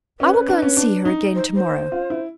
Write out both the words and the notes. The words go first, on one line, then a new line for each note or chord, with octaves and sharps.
I will go and see her again to-morrow.
C#4 B4
C#4
D4
C#4
D4
D#4
C5
C5
F4
E4